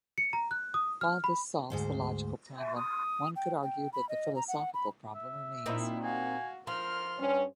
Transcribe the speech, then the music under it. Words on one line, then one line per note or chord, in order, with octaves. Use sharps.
While this solves the logical problem, one could argue that the philosophical problem remains.
C#7
A#5
F#6
D#6
F6
B5
D2 G#2 C5
E5
D#6
G5
G5
B5
D#5
A#5
F#5
B5
E5
A#2 C4 D#4 E4
F#4 F5 G#5
F3 A#4 C6 F6
G2 C#4